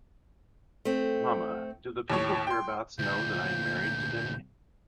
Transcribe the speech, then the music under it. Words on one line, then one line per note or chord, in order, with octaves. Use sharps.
Mamma, do the people hereabouts know I am married to-day?
A3 C4
D#2 A2 C#5
G5 C6
D2 A#2 G6